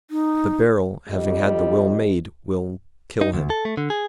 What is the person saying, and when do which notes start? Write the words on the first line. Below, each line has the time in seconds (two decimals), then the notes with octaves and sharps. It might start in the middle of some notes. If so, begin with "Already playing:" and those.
But Beryl, having had the will made, will--kill him.
0.11 D#4
1.09 F2 D3 G3 D#5
3.21 D#4
3.33 D2
3.50 A4
3.65 A3
3.77 D3
3.90 G#4